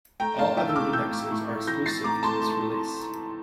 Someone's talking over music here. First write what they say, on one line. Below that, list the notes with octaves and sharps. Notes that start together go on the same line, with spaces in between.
All other remixes are exclusive to this release.
A3 G5 A#5
A2 F5 A5
E3 E5 G5
E6
A3 D6 F6
E3 E6 G6
A2
A2
A3
E3 G6 A#6
E3 A6 C7
A2 A#5 D6
A3 A5 C6
A3
A3